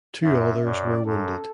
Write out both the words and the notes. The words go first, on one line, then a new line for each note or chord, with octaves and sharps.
Two others were wounded.
F#2 E5
F#2 D5
F#2 A4